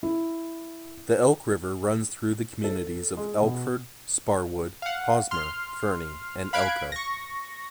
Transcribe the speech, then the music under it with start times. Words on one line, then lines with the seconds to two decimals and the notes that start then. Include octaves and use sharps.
The Elk River runs through the communities of Elkford, Sparwood, Hosmer, Fernie, and Elko.
0.03 E4
2.64 A4
3.17 G#3
3.42 B2
4.82 F5 F#5
5.31 C6 F6
6.53 F5 B5 F#6 G#6 D7
6.92 C#6 A#6